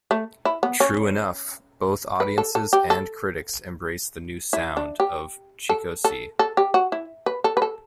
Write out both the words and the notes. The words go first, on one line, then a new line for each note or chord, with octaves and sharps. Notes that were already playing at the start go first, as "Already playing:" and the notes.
True enough, both audiences and critics embraced the new sound of ChicoSci.
A3
E4
B3
C#4
B4
A4
A4
G4
A4
E4
D4
G4
A4
A4
A4
G4
F#4
E4
B4
A4
B4
A4